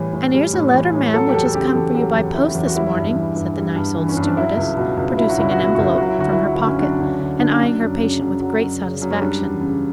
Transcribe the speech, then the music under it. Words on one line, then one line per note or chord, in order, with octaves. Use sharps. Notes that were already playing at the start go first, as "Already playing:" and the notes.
"And 'ere's a letter, ma'am, which has come for you by post this morning," said the nice old stewardess, producing an envelope from her pocket, and eying her patient with great satisfaction.
Already playing: A2 E3 G3
A2
G3
A2
E3
A2
F#3 A4
G4
E2 A4
A4
C#3 G4
E2 A4
F#3 G4
E2
C#3 E4
E2
F#4
G3 E4
G2
E3
G2
G3
G2
E3
C#4
G2
D4
F#3 E4
C#2
B2
C#2
F#3 E4
F#4
C#2 E4
F#4
B2
E4
C#2 F#4
E4
F#3 F#4
E4
D2 F#4
E4
D3
F#4
D2 E4
C#4
F#3 D4
D2 D4
D3
D2 D4
C#4
F#3 D4
F#2
C#3
F#2
F#3
F#2
C#3
F#2
C#4
G3 D4
E2
C#3